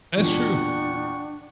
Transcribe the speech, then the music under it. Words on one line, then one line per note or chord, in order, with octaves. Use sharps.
That's true.
E2 A#2 D4 F#5 G5 C#6